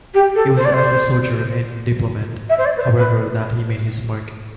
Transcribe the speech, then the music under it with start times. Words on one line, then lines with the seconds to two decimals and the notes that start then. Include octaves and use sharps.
It was as a soldier and diplomat, however, that he made his mark.
0.14 G4
0.35 A4
0.57 C5
0.65 D5
0.73 C5
2.49 E5
2.58 C5
2.65 D5
2.77 B4
2.81 C5
2.98 B4